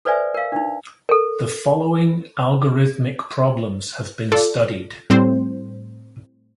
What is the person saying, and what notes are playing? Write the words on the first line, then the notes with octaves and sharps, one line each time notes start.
The following algorithmic problems have been studied.
A4 B4 C5 D5 E5 G#5
A#4 F5
D4 D#4
A4 A#4
F4 A4 D5
A2 G3 C4 C5